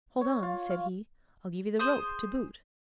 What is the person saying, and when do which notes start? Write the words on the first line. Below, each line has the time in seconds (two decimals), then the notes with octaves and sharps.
"Hold on," said he, "I'll give you the rope to boot."
0.21 C#5
0.43 F4
0.70 F5
1.79 G#4 C5 D#6